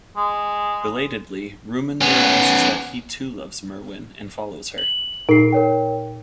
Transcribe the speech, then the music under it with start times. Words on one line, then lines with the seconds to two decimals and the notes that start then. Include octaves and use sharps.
Belatedly, Rumon realises that he too loves Merewyn, and follows her.
0.17 G#3
2.01 B3 C#4
4.78 F#7
5.29 A#2 D#4 A#4 C7
5.52 A#4 C#5 G5